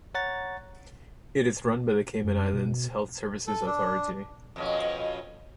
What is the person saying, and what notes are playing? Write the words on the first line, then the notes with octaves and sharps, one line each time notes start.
It is run by the Cayman Islands Health Services Authority.
C#5 F#5 A#5 A6
F#2
B2
A4
D4
F2 B2 C#4